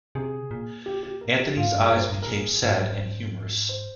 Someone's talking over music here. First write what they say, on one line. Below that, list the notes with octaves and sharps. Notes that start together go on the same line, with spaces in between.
Anthony's eyes became sad and humorous.
C3 G#4
A#2
G4
G4
A#4
G4
G#2 F4
G2
G#4
G2 C5
A#4
G2
A#4
A#2 G#4
G#2 C5
C5